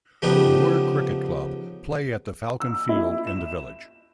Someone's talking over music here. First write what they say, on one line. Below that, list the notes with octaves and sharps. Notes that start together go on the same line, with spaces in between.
Woore Cricket Club play at the Falcon Field in the village.
C#3 F3 A3 B3 D#4 G4
E6
E4
E7